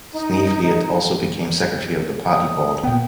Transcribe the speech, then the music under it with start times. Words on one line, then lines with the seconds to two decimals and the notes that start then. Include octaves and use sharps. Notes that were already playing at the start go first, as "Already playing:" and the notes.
Sneevliet also became secretary of the party-board.
0.12 D#4
2.27 D#6
2.83 A#2 B3 G5